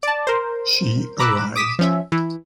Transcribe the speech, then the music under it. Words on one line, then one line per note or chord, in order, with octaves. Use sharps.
She arrived.
D5 A5
A#4 C5
A#5 B5 D6 E6 F#6
D6 D#6 B6 E7
F3 C#4 E5
E3